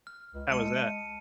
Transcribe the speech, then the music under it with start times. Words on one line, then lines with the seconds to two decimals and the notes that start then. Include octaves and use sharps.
How was that?
0.07 F6
0.34 C#2
0.50 G#3 A5 C#7 D#7